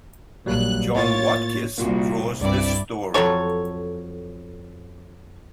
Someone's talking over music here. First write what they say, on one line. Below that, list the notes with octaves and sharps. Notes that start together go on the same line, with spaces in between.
John Watkiss draws this story.
A#1 F#3 G3 A#3 F#6
A2 A#3 F4 C#5 A6
C2 A#2 A#3 F4 F#4
C2 G2 C4 E4 D5
F2 F#3 A4 C#5 C#6